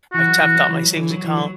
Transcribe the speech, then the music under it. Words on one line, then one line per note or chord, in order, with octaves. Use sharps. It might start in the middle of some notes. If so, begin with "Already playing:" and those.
I tapped out my savings account,
E3 F#4
F#3
E3
F#3
E3
F#3
E3
F#3
E3
F#3